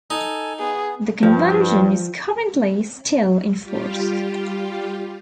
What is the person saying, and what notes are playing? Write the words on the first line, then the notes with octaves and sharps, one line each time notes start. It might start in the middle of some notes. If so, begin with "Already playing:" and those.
The Convention is currently still in force.
D#4 A4 G#5
B3 G#4
G2 F3
G3 F4 G4